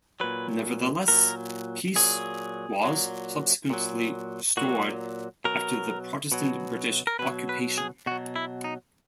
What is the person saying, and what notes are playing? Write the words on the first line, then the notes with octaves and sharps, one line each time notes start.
Nevertheless, peace was subsequently restored after the Protestant British occupation.
A#2 F#3 B4
A#2 F#3 A#4
A#2 F#3 G#4
A#2 F#3
A#2 F#3
A#2 F#3 F#4
B2 F#3 A#4
B2 F#3
A#4
B2 F#3 B4
B4
G#4
B2 F#4
F#3
E4
D#4